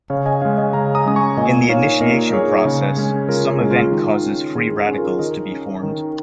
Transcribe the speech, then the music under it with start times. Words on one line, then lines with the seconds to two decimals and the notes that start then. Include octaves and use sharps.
In the initiation process, some event causes free radicals to be formed.
0.10 C#3 C#5 F5
0.26 D#5 G#5
0.42 G#3 C#4 C#5 F5
0.58 D#5 G#5
0.73 C#3 F5 A#5
0.95 A#5 D#6
1.06 G#3 C#4 D#6
1.16 G#5 C#6
1.37 A#2 D#5 G#5
1.69 A#3 D#4 C#5 F5
2.01 A#2 A#4 D#5
2.33 A#3 D#4 G#4 C#5
2.65 C#3
2.97 G#3 C#4
3.28 C#3 F4 A#4
3.49 G#4
3.60 G#3 C#4
3.71 F4
3.92 D#3
4.23 C#4
4.56 D#3 G#4
4.77 G#4
4.88 C#4
4.98 F4 A#4
5.19 D#3 A#4 D#5
5.51 C#4
5.83 D#3